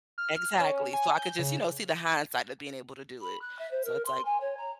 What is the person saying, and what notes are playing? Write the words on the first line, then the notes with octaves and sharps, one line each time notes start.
Exactly. So I could just, you know, see the hindsight of being able to do it. So it's like,
F6
C#4
G#5
G6
C#3
B5
F#6
E5
C5
A#4
C6
G#5
C#5
A#5